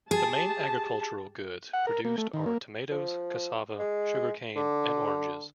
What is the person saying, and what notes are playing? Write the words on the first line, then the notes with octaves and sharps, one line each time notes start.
The main agricultural goods produced are tomatoes, cassava, sugarcane and oranges.
G4 G#4 A5
F#5
A#4
A#3
A3
D#3
A#3
F3
G#3
D3